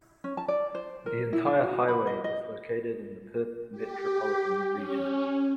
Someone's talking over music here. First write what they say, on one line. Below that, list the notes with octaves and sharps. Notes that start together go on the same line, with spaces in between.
The entire highway is located in the Perth Metropolitan Region.
C#4
A5
D5
C5
A#4
E4
D4
F#4
B5
D#5
D#5
G4
C#4